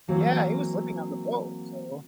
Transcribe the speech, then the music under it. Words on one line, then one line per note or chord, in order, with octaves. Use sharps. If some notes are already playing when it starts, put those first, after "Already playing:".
Yeah, he was living on the boat, so.
E3 F#3 A#3 C4